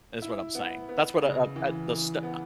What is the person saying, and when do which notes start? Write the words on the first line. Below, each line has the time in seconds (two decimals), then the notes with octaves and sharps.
That's what I'm saying. That's what, uh uh, the Sn uh,
0.22 E4
0.55 B3
0.89 B3
1.22 C#3
1.56 E3
1.90 E3
2.23 B3